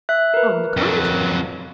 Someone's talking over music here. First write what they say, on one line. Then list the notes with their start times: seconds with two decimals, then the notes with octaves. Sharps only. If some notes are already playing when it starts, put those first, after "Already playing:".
On the contrary!
0.09 E5 F#6
0.34 A#4 B4
0.77 F2 F#3